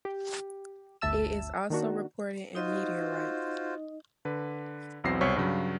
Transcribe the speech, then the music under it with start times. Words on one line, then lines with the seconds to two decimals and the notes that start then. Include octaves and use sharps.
It is also reported in meteorites.
0.05 G4
1.01 G1 D2 E5 A5 E6 E7
1.70 D#3 A#3 D4 F#4
2.55 D#4 F4 F#4 C5 D#5
4.25 D3 B4
5.04 B1 E2 F#3 C4 A#6 C7
5.21 C2 B2 C5 C#5 C#6 B6
5.36 G2 C#3 F#3